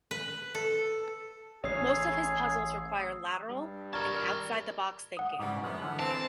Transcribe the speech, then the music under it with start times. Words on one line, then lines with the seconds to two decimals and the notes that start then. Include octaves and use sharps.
Most of his puzzles require lateral and "outside the box" thinking.
0.11 B4
0.55 A4
1.64 A1 C#4 G#4 D#6 E6 C7
3.48 G2 G3
3.93 A#4 D5 A5 A#5 C#6 F6 G#6
5.17 F#5 D#6
5.39 G#2 C#3 E3 G3 F#5 D6
5.64 F#2 F3 G#3 B3 F6
5.82 D3 E3
6.00 C4 A5